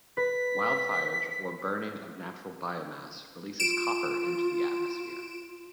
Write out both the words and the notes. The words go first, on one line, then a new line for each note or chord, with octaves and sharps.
Wildfires or burning of natural biomass releases copper into the atmosphere.
B4 B6
F4 D7 E7